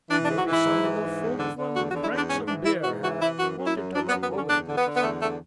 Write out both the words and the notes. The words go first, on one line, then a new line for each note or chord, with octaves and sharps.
"Maybe some of the folk from Branksome-Bere have wanted to look over the place."
E3 D4
D4
G#2
F#4
E3
E4
G#2
E3
G#2
E2
D3
D3
E2 F#4
F#4
D3
E4
E2 D4
G#2 C#4
E3 D4
E3 E4
G#2 F#4
E3 F#4
E3 E4
F#2 F#4
F#2
E4
F#2
F#2 D4
B3
F#2
B3
D3 C#4
E2 D4
D3
B3
D3
B3
E2 A3
D3 A3